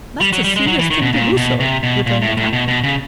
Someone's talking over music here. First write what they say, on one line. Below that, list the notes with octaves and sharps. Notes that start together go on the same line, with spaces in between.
"That's a serious thing to do, sir," returned the captain.
G3
F#3
G3
G#3
F#3
E3
D#3
B2
A#2
B2
C3
B2
A#2
A2
A2
B2
B2
C#3